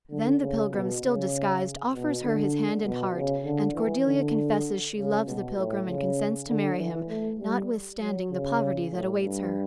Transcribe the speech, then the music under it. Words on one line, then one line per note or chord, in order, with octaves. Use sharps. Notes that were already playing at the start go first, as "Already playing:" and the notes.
Then the pilgrim, still disguised, offers her his hand and heart and Cordelia confesses she loves the pilgrim and consents to marry him, notwithstanding the poverty that awaits her.
D3
C#3
B2
C#3
B2
D3
B2
C#3
D3
E3
D3
C#3
B2
A2
C#3
D3
E3
A3
G3
F#3
C#3
A2
G2